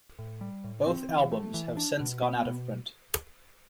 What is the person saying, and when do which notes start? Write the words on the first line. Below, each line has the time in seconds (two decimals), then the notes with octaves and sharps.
Both albums have since gone out of print.
0.19 A2
0.41 G3
0.64 A2
0.87 C4
1.09 E3
1.32 A3
1.54 E3
1.77 D4
2.00 B2
2.22 B3
2.45 B2